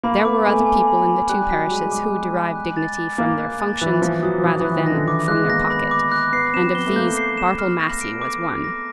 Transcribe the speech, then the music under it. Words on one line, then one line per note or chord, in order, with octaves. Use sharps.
There were other people in the two parishes who derived dignity from their functions rather than from their pocket, and of these Bartle Massey was one.
A#3 B5
B3 D6
A3 G#5
G#5
B5
D6
G3 F#6
F#3 B6
G#3 D#7
G#3 D6
F#6
B6
F#6
A6
D6
A#3 D6
F#6
A6
E3 F#6
F3 A#6
F#3 D#6
F3 D#6
E3
F#6
D#3
A#6
D3
E3 D6
G#3 F#6
B3
A#3 A#6
B5
D6
F#6
B3 C7
C4 E7
B3 G7
A3
A#3 G6
C7
E7
F6
A#6
D7
D6
F6
A#6